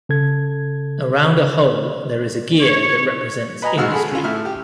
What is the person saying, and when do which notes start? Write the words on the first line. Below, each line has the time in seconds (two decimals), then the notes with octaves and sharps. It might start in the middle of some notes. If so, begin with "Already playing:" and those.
Around a hole, there is a gear that represents industry.
0.09 C#3 A4 G#6
2.60 C#5
3.62 B4 D#5 G#5 A#5
3.77 G#1 G#2 G#3 F#4 E6 F6
3.92 G#4 A4 B5
4.11 C#4 F4
4.24 A2 E5 F6
4.45 G4